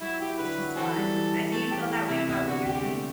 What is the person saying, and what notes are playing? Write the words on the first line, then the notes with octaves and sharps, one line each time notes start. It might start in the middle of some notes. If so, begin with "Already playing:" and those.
it's just fun. I Do you feel that way about what you're doing?
F#3 E4
E4 G4
D3 B4
F#3
E3 C4 F#4 A4
G3
E3
E3
A3 A4
E3 G4
A3 G4
C3 E4
E2 E4
D3 F#4
E2 G4
A3